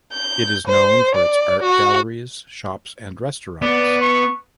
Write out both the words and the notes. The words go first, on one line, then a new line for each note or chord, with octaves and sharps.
It is known for its art galleries, shops and restaurants.
G6
C5
D5
F#4
B3 D5
C#6